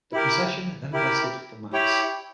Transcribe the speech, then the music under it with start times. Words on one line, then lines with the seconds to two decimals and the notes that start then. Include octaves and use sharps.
The procession then vested for Mass.
0.13 E4 G4 A#4
0.93 E4 G4 A#4
1.73 E4 G4 C#5 G5